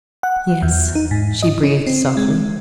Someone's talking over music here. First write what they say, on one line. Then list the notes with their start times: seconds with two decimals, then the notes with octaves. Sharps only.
"Yes," she breathed softly.
0.23 F#5
0.62 E2
0.95 D#4
1.11 G#2
1.42 D#5
1.63 C#4
1.87 C4
2.17 G#3